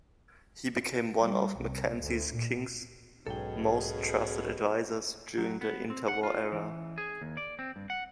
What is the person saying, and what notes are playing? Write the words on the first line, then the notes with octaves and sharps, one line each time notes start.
He became one of Mackenzie King's most trusted advisors during the inter-war era.
G3
C2
D2
A#2
B1 G#2 B2 C#4 G#4 A4 G5
F#3
B3
C4
F#5
F4
E3
G#4
D#2
D5
C4
G2
F#5